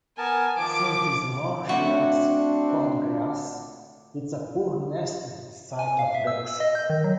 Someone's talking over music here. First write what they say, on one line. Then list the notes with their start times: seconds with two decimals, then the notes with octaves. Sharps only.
Since this marsh lacks cordgrass, it is a poor nesting site of ducks.
0.18 B3 A#4 G#5 A5
0.57 D#3 F3 D6
1.69 A3 C4 D4 E4 F#4
5.79 G#5
5.99 F5
6.15 E5
6.27 E6
6.47 E6
6.60 D#5
6.75 G6
6.90 D#3
7.04 F#3